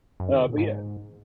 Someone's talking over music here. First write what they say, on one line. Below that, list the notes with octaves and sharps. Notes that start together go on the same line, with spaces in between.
Uh, but yeah. M
F#2
D#3
C#3
A#2
G#2